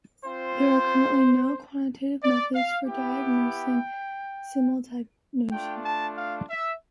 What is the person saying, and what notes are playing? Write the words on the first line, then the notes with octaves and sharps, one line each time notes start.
There are currently no quantitative methods for diagnosing simultanagnosia.
C4 F4 C5
D5
F5
B3 E4 G4 G5
A3 D4 F4 G5
A5
F5
E5